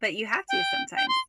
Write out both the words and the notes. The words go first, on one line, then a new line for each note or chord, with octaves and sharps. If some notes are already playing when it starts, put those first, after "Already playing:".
but you have to sometimes.
G5
G5
C6